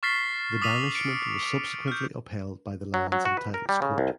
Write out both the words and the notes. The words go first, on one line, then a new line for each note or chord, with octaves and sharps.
The banishment was subsequently upheld by the lands and Titles Court.
C#6 F6 A6 B6 C7 G7
D6 D#6 B6 D#7 F7
C#7 D7
F6 G6
F#3
F#3
F#4
B4
A#4
G3
C#3
C2